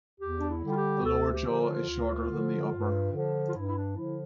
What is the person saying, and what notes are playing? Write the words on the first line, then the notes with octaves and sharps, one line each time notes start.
The lower jaw is shorter than the upper.
E2 G4
D4
E4
D3 G3
F4
G4
D2 A4
G4
D3 F3
F4
D2
D3 F3
G2
D3 F3
F4
G2 E4
E4
D4
D3 F3 E4